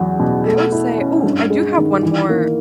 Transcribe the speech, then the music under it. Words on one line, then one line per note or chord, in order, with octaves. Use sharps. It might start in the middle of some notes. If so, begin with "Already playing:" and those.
I would say ooh, I do have one more
Already playing: E2 F#3
B2
A3
E4
C#4
G2
G#3
D#3
E3
A#3